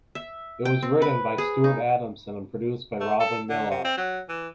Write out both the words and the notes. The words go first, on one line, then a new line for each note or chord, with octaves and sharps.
It was written by Stuart Adamson and produced by Robin Millar.
E5
G5
C4
B4
G#4
D#4
A3
A4
D3
C3
C4
F#3
E3